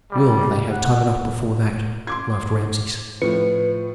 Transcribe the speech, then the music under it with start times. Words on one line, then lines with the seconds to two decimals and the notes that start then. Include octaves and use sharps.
"Well, they have time enough before that," laughed Rameses.
0.11 G3
0.71 F#5
2.07 C6 D6 G#6
3.22 A2 F3 B4 C#7